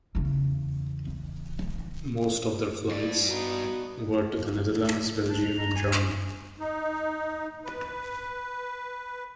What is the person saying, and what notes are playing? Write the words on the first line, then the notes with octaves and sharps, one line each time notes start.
Most of their flights were to the Netherlands, Belgium and Germany.
E2 C#3
G2 D5
B3 D#4 F#4
D4
F7
A#5
G#5
D#4
B4